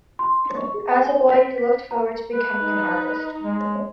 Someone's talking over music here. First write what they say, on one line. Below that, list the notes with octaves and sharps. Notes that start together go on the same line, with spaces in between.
As a boy he looked forward to becoming an Artist.
C6
C#6
G#4
G#5
B6
B6
A#5
B4
D#4
G#3